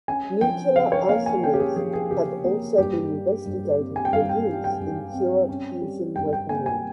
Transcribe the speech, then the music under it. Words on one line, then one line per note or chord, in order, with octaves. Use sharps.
Nuclear isomers have also been investigated for use in pure fusion weaponry.
C#4 G#5
F3 G5
C#3 F5
C#5
A#3 F5
G#5
C#4 G5
G4
G#4
F3 G#4
G#4
C#3 G4
A#3
G2 G4
G3
G2
C4
G#5
G5
G2 F5
G5
G3
G5
G2
C4
C#4
G3
G2 G5
G5
A#3 G#5
G#5